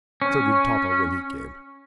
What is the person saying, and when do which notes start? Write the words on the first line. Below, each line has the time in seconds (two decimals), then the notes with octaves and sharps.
So did Topper when he came.
0.22 C#4